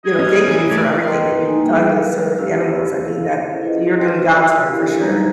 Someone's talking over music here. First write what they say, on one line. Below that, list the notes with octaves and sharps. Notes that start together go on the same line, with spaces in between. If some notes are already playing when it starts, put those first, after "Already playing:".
you know, thank you for everything that you've done to serve animals. I mean, that you're doing God's work for sure,
D#5 G#6
C#4 D#4
E3 A#3
A3 D5 A5
A#4 B4 D#5 G5 A#5 C6
A#3 D#4 A4 G#5
G3 B3 G#4 G5
F#3 G#3 A4 B4 F5
C#4 G4 F5 E6
F5
C#4 E4 A4 C5
E4 F4 G#4 B4 C5 D#5
F#4 C5 F5 G5 A5 C6
D5 C6 D#6 E6
D4 E4 F#4 G4 A#4 F5
F#3 G3 D#4 C5 A#5